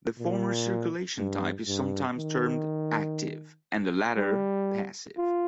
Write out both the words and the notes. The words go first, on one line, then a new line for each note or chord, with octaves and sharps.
The former circulation type is sometimes termed "active", and the latter "passive".
A#2
G2
G2
D#3
G3
F4